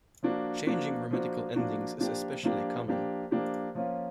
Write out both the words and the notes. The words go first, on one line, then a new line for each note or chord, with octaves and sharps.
Changing grammatical endings is especially common.
F3 A#3 D4 F#4
F3 A#3 D4 F#4
F3 A#3 D4 F#4
F3 A#3 D4 F#4
F3 A#3 D4 G4
F3 A#3 D4 G4
F3 A#3 D4 G4
F3 A#3 D4 G4
F3 A#3 C#4 F4